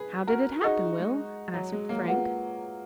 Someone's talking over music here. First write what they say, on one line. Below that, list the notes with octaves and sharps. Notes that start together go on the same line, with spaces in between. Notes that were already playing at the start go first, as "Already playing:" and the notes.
"How did it happen, Will?" asked Frank.
Already playing: G#4 B4
F#4 A#4
D#4 F#4 G#4 D#5 A#5 C#6
G#3
F#3
G#3
F#3 A#3
F4 G#4 B4 F#5